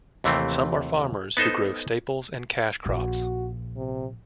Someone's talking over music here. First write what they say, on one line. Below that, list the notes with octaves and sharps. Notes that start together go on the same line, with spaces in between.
Some are farmers who grow staples and cash crops.
D#2 C3 E3 A3 C4
B3 D#4 A4 C5
A#1 F#4
C3